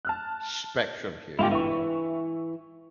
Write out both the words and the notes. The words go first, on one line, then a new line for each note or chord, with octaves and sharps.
sh spectrum here, if you will,
A5 F6 F#6
G1 G#2 E4 F4 G4 F7
E3 E5 C#6